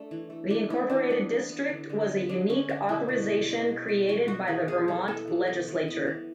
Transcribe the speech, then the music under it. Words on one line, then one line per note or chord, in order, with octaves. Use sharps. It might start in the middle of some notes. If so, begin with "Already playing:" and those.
The Incorporated District was a unique authorization created by the Vermont legislature.
Already playing: A3 D4
E3
A3
E3 D4
B3 E4
E3 D4
B3
E3
B3
D3
D3
B3
G#3 D4
D3 C#4
D3 D4
B2 E4
B2
B3
G#3
B2
B2
E3 F#4
B3 F#4
E3 G#4
B3 G#4
E3 A4
B3 A4
E3
B3
E3
B3
E3